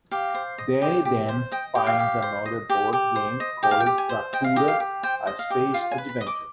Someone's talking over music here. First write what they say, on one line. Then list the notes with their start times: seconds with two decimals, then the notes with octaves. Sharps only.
Danny then finds another board game called "Zathura: A Space Adventure".
0.11 G4 F5
0.34 C5
0.58 D#5
0.81 G4
1.05 G4
1.29 C5
1.52 D#5 G5
1.75 G4
1.86 F5
1.99 G4
2.22 C5
2.46 D#5
2.69 G4
2.93 G4
3.15 C5
3.40 D#5
3.63 G4 G5
3.71 F5
3.80 G5
3.86 G4
3.98 G#5
4.09 C5
4.33 D#5 G5
4.44 F5
4.56 G4 D#5
4.68 F5
4.80 G4
5.03 C5 G5
5.27 D#5
5.39 F5
5.50 G4
5.74 F4 F5
5.91 G#5
5.98 B4
6.09 B5
6.21 D#5
6.27 D6